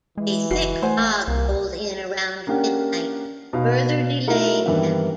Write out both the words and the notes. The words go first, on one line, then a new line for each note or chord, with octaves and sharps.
A thick fog rolled in around midnight, further delaying them.
E3 G#3
F#1 F#4 C7
A3 C5 F#5 G#5
C2 A#3
A#3 C#4 D4 G4 F#5
B2 D#4 F5
A3 D#4 E4 F#4 A#4
G2 D#3 E3 A#3 B3 E4